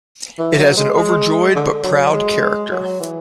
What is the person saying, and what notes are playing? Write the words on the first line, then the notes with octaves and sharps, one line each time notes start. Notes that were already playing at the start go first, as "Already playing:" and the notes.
It has an overjoyed but proud character.
E3
F#3
F#3
G#3
G#3
D3
F#3
G#3
F#3
E3